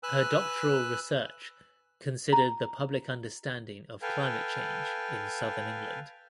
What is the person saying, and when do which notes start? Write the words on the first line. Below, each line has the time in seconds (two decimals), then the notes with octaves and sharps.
Her doctoral research considered the public understanding of climate change in Southern England.
0.03 B4 G#5 E6 F#6
2.33 A#5
4.02 A4 B4 F5 G5 G#5